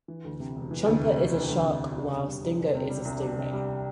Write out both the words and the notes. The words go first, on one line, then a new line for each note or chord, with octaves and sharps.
Chomper is a shark while Stingo is a stingray.
E3
D2
C3
E1
E3
D2
C3
E1
E3
D2
C3
E1
D4
C3
G3
C2
D4
C3
G3
C2
D4
C3
G3